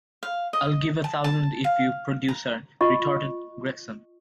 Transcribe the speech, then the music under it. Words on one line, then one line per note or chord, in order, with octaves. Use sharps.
I'll give a thousand if you produce her, retorted Gregson.
F5
D#5
A5
A5
F5
A#5
F4 D#5 C#6